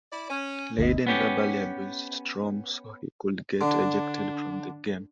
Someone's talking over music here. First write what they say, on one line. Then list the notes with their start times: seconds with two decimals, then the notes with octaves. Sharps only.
Layden verbally abused Strom so he could get ejected from the game.
0.11 E4 D5
0.29 C#4
0.78 G1 D2 D#5
1.07 B3 C#4 G4
3.61 D3 D4